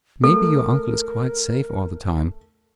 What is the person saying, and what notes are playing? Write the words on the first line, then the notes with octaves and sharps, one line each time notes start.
Maybe your uncle is quite safe all the time.
A3 A4 A#4